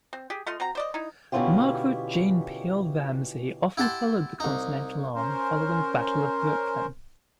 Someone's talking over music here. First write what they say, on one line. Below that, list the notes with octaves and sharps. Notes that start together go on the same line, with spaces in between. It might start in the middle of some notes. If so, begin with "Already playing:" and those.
Margaret Jane Peale Ramsey often followed the Continental Army following the Battle of Brooklyn.
C4
G4 G#4
A3 F4 D#5 C6
C4 F#4 A#5
C5 D5 D#5
D#4 E4
B2 D3 C#4 E4 F4 G4
E4 G4 F#5 A5 C6
C2 D#4
C#4 A#4 C5